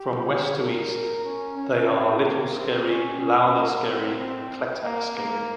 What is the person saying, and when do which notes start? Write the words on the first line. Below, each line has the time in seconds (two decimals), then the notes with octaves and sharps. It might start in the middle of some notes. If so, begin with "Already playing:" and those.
From west to east, they are Little Skerry, Louther Skerry and Clettack Skerry.
Already playing: G4
0.25 G#4
0.59 A#4
1.25 C#4
1.57 C#4
1.90 C4
2.22 A#3
2.55 C4
2.88 C#4
3.21 C#4
3.54 A#3
3.86 C4
4.19 C4
4.84 A#3
5.17 A#3